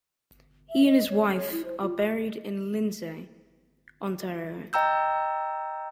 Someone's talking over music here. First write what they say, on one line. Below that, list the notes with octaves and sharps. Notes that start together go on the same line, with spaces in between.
He and his wife are buried in Lindsay, Ontario.
E5
D#5
C#5
C#5
E4
C5
F4
D#5 G5 A#5 E6 G6